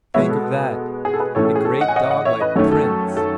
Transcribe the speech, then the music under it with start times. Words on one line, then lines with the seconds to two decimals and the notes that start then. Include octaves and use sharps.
"Think of that--a great dog like Prince!"
0.14 B2 G#3 B3 C#5 E5
0.29 A4
1.05 G#4
1.14 A4
1.20 G#4 B4
1.35 A2 E3 A3 C#4 A4 C#5
1.45 A4
1.56 G#4
1.65 A4
1.81 D#5 F#5
1.88 G#5
1.96 D#5 F#5
2.10 D#5 F#5
2.25 C#5 E5
2.41 B4 D#5
2.56 F#2 D#3 A3 C#4 A4 C#5
2.72 A4
3.17 A4